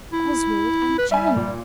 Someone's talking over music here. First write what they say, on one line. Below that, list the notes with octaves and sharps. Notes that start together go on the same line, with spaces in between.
Oswald and Challoner!
E4
B4
G3 E5 G#5
A#2